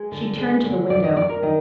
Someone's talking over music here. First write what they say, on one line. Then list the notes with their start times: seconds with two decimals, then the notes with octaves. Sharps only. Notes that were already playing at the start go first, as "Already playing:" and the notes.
She turned to the window.
Already playing: G#3
0.12 D3
0.38 G#3
0.64 D3
0.90 C3 D5
1.04 D#5
1.16 C3 D5
1.29 A#4
1.42 D#3 D#5